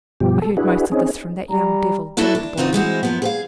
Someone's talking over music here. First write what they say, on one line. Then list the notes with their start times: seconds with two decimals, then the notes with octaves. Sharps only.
'I heard most of this from that young devil, Billy the Boy.
0.20 G2 B2 F3 G4
0.42 A4
0.57 D4 E4 F#4 G#4 B4
0.92 C4 C#4 D#4 G#4
1.50 G3 A#5
2.17 D4 E4 F#4 A4 B4
2.35 D4
2.57 C#3 C4 D#4 F4 F#4
2.73 E3 G#3 C4 F#4
3.03 F#2 F3 B3
3.22 G#4 C5 F5